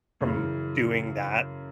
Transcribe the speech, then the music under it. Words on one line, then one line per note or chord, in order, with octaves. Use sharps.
from doing that
F#2 C#3 E3